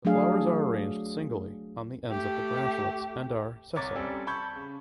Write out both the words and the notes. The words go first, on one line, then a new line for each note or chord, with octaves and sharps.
The flowers are arranged singly on the ends of the branchlets and are sessile.
F#3 A3 D4 G#4 F5
A3 G4
C2 C#5 A#5 D6 A6
G3 C4 C#4 A4
A5 B5 C#6 G6 G#6
C#3